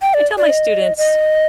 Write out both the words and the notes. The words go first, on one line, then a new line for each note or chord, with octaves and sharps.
I tell my students,
G5
D5
D5
D#5
D#5